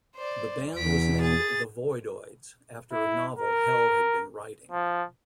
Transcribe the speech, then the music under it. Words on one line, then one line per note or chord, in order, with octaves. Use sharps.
The band was named "the Voidoids" after a novel Hell had been writing.
C5 D5
E2 B6 D7
G#4 A6
E4
A#4
F3